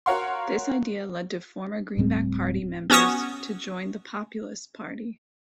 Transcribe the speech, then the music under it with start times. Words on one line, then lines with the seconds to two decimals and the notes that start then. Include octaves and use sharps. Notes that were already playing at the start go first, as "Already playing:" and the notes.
This idea led to former Greenback Party members to join the Populist Party.
0.06 F#4 A#4 C#5 F5 F#5 C6
1.97 D1 A2 G3 C4
2.90 B3 C#4 F#4 C#6 D#6